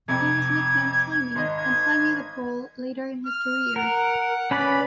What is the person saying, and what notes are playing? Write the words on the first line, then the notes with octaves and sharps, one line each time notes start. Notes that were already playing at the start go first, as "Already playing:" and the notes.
He was nicknamed "Hymie" and "Hymie the Pole", later in his career.
F2 C3 G#6
G#1 D#5
G#6
F6
A#4 F#5
C#4 B4 D5 B5